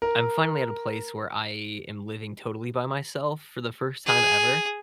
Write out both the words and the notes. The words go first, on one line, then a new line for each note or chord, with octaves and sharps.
I'm finally at a place where I am living totally by myself for the first time ever.
A#4
G#4